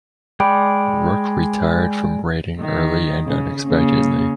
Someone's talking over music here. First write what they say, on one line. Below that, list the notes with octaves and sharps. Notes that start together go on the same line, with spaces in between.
Rook retired from writing early and unexpectedly.
G#3 D5 G5 B5
D#3
C#3
C#3 A#3